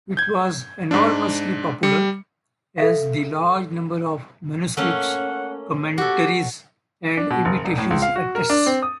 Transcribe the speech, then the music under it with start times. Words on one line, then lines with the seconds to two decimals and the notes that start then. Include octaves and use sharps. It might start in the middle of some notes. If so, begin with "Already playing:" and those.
It was enormously popular, as the large number of manuscripts, commentaries, and imitations attests.
0.17 G6 G#6
0.91 G#2 D4
1.83 G3 C#7
2.78 A4 E5 F5
4.77 A3 A#3 C#4 F#5
5.98 F#4 G4 A4
7.17 D4
7.30 B2
7.45 F#1
7.65 E1
7.78 A2
7.91 C#2
8.02 F5
8.16 F#4
8.35 A#4
8.50 D4
8.66 C4
8.82 D#6